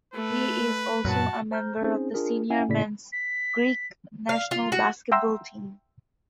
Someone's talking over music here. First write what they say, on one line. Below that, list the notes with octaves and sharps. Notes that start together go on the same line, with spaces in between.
He is also a member of the senior men's Greek national basketball team.
A3 B4
F#2 A#2 F#4 A5
C5 A#5 F6 G6
C4 C#4 D#4 G#4 C5
D4 F4 G#4 A#4
C#4 E4 E5 F#5 G#5
A2 C#3 A#3 E4 D5 B6
B6
F5
F4
F#4
E5 F#5 G5 A#5 C6 E6